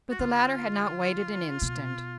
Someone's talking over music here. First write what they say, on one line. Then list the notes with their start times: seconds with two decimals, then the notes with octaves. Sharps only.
But the latter had not waited an instant.
0.11 F#4
0.19 D3 F4
1.62 B2